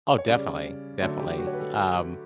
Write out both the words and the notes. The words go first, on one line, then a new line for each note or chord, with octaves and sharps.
Oh, definitely, definitely. Y um,
C#5
C#3 G3 C#4 D5
D3 F#3 A3 C#5
G4
F#4
C#5
B4
A4